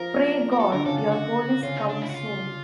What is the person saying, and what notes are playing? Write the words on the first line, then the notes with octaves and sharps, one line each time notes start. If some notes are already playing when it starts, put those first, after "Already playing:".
Pray God your police come soon.
Already playing: F3 F4 A#4
A#4
F#3 F#4 A4
D3 D4 A#4
C#3 C#4 A4
D3 D4 A4
F#4
C#3 C#4 F4
D#4
D4
E4
F#4
F4